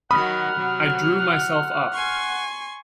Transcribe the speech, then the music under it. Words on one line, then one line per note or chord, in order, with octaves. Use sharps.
I drew myself up.
D#3 F#3 F#5 B5 D#6 F6
C3 F#3
G#5 C6 C#6